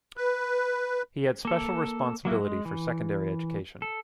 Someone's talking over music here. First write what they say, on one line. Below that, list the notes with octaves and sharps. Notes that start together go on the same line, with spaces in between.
He had special responsibility for secondary education.
B4
A#3 A4
F#3 A#3 E4 F#4
G#3
E3
A4